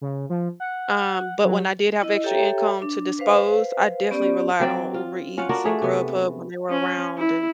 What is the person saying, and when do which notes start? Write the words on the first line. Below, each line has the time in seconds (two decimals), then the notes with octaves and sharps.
um, but when I did have extra income to dispose, I definitely relied on Uber Eats and Grubhub when they were around and
0.01 C#3
0.30 F3
0.60 F#5
1.45 F#3
2.02 E4 D#5
2.24 G4 A4 C#5 E5 G5 A#5
2.82 D4
3.19 B4 C5 F5
4.11 B3 C#4 G4 D5
4.60 F#3 C4 D5
4.94 F4
5.38 C#4 F4 F#5
5.49 D4 F4 F#4 A#4
5.65 A3 G#4
5.82 C3 B3
6.70 C#4
7.18 E4